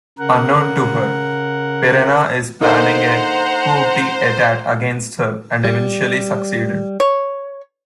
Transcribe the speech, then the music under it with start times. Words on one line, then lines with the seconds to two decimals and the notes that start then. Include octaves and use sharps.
Unknown to her, Pirena is planning a coup-de-etat against her and eventually succeeded.
0.19 C#3 A#4 F#5
2.61 D3 A#3 D#4 C5 F#5 A#5
5.64 G3
7.00 C#5